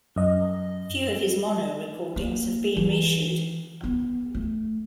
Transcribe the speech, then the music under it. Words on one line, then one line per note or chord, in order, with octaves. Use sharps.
Few of his mono recordings have been reissued.
F#2 D#5
A#3
E3
B3
A3